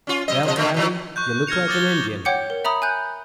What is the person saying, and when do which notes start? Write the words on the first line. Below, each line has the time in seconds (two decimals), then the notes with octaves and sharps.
Well, Harry, you look like an Indian.
0.07 C#4 F4
0.28 F#3 D#5
0.45 C3 F3 D#5
0.57 B2 D3 A3
0.74 B2 D#3 F#3
1.16 C#6 F#6 G6
1.47 F6 G#6 A#6 C#7 F7
1.68 D6 D#6 F#6 A6 C#7 G7
2.25 C#5 F#5 G5 D6 G6 C#7
2.50 A#4
2.65 E5 A#5 B5 D#6
2.82 G#5 F#6 G6